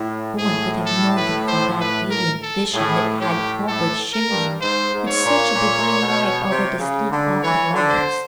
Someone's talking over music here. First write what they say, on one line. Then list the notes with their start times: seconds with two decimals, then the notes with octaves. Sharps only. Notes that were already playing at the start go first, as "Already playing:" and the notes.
No one could have known it for that radiant vision that had hovered shimmering with such a divine light over the sleep of the lovers.
Already playing: A2
0.38 A2 G#4
0.86 A4
1.17 B4
1.48 C5
1.80 B4
2.10 A#4
2.42 A4
2.74 A2 G#4
3.21 A2 G4
3.67 A2 A4
4.13 A#4
4.29 G2
4.61 G#2 C5
4.93 G#2
5.08 C#5
5.24 A#2
5.54 A#2
6.01 B2
6.49 C3
6.79 C#3
7.10 D3
7.43 E3 C#5
7.74 D3
7.89 C5